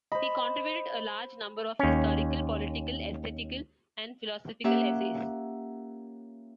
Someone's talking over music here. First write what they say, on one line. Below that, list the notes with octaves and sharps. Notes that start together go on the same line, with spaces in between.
He contributed a large number of historical, political, esthetical and philosophical essays.
C5 D#5 B5
D#2 C#4
A#3 C#4 F4 G4 E5 F#5